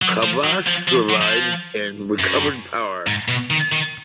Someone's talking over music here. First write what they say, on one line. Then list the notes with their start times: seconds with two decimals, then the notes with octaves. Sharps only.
Chavash survived, and recovered power.
0.02 F#3
0.23 F3
0.44 F#3
0.67 F3
0.88 F3
1.10 F#3
1.22 F3
2.19 F#2
3.07 G#2
3.28 B2
3.51 D#3
3.72 D#3